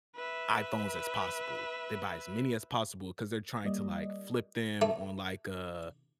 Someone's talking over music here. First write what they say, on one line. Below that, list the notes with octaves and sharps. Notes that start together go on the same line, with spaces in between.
iPhones as possible. They buy as many as possible 'cause they're trying to, like, flip them on, like, a
B4 E5
G3 A#3 D5 D#5
A3